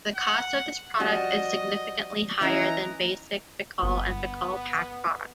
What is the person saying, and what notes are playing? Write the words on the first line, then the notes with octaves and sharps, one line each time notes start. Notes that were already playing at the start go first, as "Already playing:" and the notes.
The cost of this product is significantly higher than basic Ficoll and Ficoll-Paque products.
F#5
F3 G3 F#4 D#5
E3 C#4 D#4 A#5
G1 B3